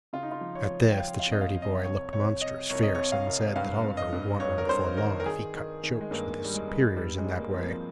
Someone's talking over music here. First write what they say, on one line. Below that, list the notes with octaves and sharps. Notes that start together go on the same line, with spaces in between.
At this, the charity-boy looked monstrous fierce; and said that Oliver would want one before long, if he cut jokes with his superiors in that way.
C#3 F4
D#4
F4
F3
C#5
F3
G5
F3 F5
F5
F2
D#5
F5
F2
D#5
C2 C#5
C3 C#5
C3 D#5
C2 C#5
D#5
C2 C#5
F5
C2
G2 F5
G2
D#5
G2
G2 C#5
A#4
G2 C5
D#3 A#4
A#4
D#3 G#4
D#3
D#3
G#3
G2 A#3
D#3 G3
G#3
G2
G2 G3
G#3
G2
A#3
F3 C4
A#3